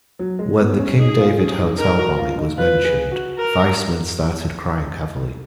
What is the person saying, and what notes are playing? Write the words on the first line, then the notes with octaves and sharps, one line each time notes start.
When the King David Hotel bombing was mentioned, Weizmann started crying heavily.
F#3
G#3
B3
C#4
D#4 G#4
F4
C#4 G#4
D#4
D#4 A#4
F#4
F4
D#4
F4 B4
G#4
F#4
A#4